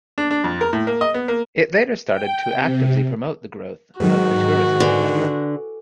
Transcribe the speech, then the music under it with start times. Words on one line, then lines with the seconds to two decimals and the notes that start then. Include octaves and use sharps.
It later started to actively promote the growth of the tourism industry.
0.18 D4
0.31 D4
0.44 F2
0.61 A#4
0.73 A2
0.87 A#3
1.01 D#5
1.14 B3
1.28 A#3
2.07 G5
2.53 C3
4.00 G#2 D#3 F#3 F#4 G#4 B4
4.80 D3 B4 G#5